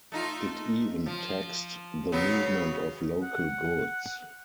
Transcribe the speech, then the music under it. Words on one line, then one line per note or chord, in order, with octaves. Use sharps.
It even taxed the movement of local goods.
A3 D#4 F4
F3
C#3 F#3 B3
F#5